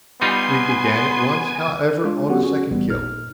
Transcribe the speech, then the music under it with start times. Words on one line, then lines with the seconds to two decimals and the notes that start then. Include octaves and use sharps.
We began at once, however, on a second kiln.
0.22 G3 B3 D#4 F4 G#5 C6
2.04 G#3 D4 F4
2.28 F#3 B3 C#4 F#4 G4 F#5
2.43 C#4 F#4 G#4
2.71 A1 G3 B3
2.88 A#2 D#4 F6